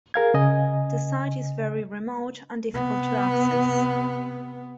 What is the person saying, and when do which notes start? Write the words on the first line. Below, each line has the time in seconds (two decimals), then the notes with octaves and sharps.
The site is very remote and difficult to access.
0.14 G#4 A#4 F5 G#6
0.34 C#3 D#5 G#5
2.73 C3 B3